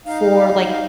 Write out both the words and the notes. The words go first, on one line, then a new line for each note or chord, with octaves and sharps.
for, like,
D#4 F5